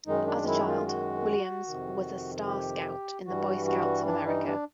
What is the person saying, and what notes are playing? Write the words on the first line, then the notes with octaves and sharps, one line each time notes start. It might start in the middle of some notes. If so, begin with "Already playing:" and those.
As a child, Williams was a Star Scout in the Boy Scouts of America.
F#2 D#3 G#3 D#4
D4
E4
F4
F#4
F2 C3 D#3
G4
G2 E3 G3 F#4
F#4
D4
D#4
D4